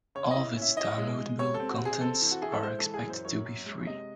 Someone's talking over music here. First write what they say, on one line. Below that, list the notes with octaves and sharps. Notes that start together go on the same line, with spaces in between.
All of its downloadable contents are expected to be free.
C#3 C#5
E4 D#5
C#4
E5
E4 D#5
G#3
G#3
C3 C#5
A4
C4
F#4
C3
G#4
C4 A4
E3
F#4
E4 G#4
A4
G#3 C5
E3 A4
G#4
F#2
C5
F#2 C#5
F#2
G#3
C3 D#5